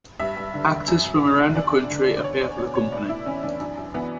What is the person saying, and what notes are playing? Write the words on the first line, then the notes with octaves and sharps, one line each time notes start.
Actors from around the country appear for the Company.
G2 E5
G2
D3
D3
F#2
F#2
D3
D3
E2 D5
E2
D3
D3
D5
E2 C#5
E2 D5
B2 C#5
B2 C#5
A2 D5
A2 E4
E3 C#4
E3 D4
F#2 D4
F#2
E3 B3